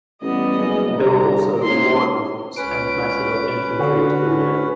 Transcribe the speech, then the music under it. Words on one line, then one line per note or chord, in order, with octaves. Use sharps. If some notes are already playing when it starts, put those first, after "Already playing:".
There were also war elephants and masses of infantry to the rear.
A1 G3 B3 D#5
F#1 G#4
D2 G3 A#5
G#2 A#3 C#4 E4 C6
C#2 C#4 B4 D7
D3 F#4